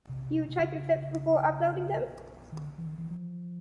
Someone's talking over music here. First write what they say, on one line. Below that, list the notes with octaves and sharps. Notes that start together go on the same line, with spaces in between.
Do you check your clips before uploading them?
C3
C3
C#3
D#3
D3
E3
D#3
E3
F3